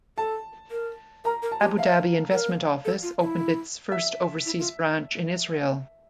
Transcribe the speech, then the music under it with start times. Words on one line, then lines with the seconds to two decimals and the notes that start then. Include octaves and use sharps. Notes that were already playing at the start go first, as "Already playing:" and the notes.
Abu Dhabi Investment Office opened its first overseas branch in Israel.
0.18 A4 A5
0.71 A#4
1.24 A#4 A#5
1.42 A#4
1.51 A5
1.60 G4
1.78 E5 F5
2.32 A#4
2.85 A4
3.03 F4
3.21 E4
3.92 E5
4.46 E4
4.59 F4